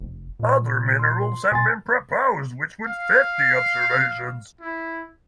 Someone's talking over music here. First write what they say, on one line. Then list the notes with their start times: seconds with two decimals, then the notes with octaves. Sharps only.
Other minerals have been proposed which would fit the observations.
0.01 F1
0.39 A#2
0.99 C6
1.52 B2 G#5 C6 A6
2.87 F5
4.60 E4